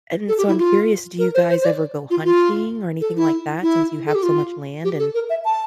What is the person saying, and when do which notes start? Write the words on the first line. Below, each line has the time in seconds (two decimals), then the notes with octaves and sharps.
And so, I'm curious, do you guys ever go hunting or anything like that since you have so much land and
0.28 A4
0.38 G4
0.48 E4
0.58 F4
1.19 A#4
1.35 C5
1.50 C5
1.61 C5
1.65 D5
2.10 F4
2.25 F4
3.01 A4
3.17 E4
3.62 E4
4.06 A4
4.15 G4
4.23 F4
4.84 G4
4.99 A4
5.15 A#4
5.30 E5
5.45 A5